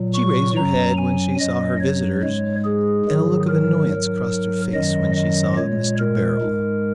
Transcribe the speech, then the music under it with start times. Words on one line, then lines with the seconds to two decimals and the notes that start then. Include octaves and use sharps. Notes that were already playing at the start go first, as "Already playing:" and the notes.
She raised her head when she saw her visitors, and a look of annoyance crossed her face when she saw Mr. Beryl.
Already playing: A#2 F#3
0.14 C#6
0.55 F#2 F#3 A#5
0.97 G#5
1.39 F#2 F#3 D#5
1.81 C#5
2.23 G#2 G#3
2.64 G#4
3.06 G#2 D#3 F#3
3.48 A#4
3.90 G#2 F#3
4.74 F#2 D#3 F#3 D#5
5.15 D#5
5.57 A#2 G#3 C#5
5.99 A#4
6.41 G#2 G#3